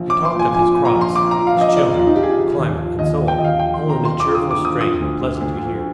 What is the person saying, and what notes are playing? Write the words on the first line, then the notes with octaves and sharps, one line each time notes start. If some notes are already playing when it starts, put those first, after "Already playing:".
He talked of his crops, his children, the climate, and so on, all in a cheerful strain, pleasant to hear.
Already playing: A#1
D6
F3
C6
A#2 G#5
A#1 G#5
A#2
A#5
A#1
C6
F3 D6
A#5
F3
F5
A#1 D#5
F3 D5
F4
A#1
D#4
A#1 G4
G#4
F3
D#2
F3
D#2 D#5
D#2
G5
D#2 D#5
F5
F3 G5
C6
D#2
A#5
D#2
C6
F3 D6
D#6
D3
D6
D3 D#6
F3 D#6
D2
D2
D2
F3